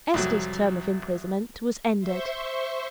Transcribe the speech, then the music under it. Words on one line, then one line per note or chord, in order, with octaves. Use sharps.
Esther's term of imprisonment was ended.
C2 F2 F#3
C5 E5 C6 C#6